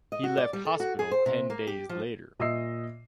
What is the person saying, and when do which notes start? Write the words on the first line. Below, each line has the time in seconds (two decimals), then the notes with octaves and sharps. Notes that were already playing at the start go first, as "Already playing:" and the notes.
He left hospital ten days later.
0.12 D#5
0.24 F#4
0.37 D5
0.53 G3
0.65 A4
0.80 F#4
0.99 G#4
1.11 C5
1.26 C3
1.50 A#3
1.67 G4
1.89 F3
2.39 A#2 D#5 E5 E6 C7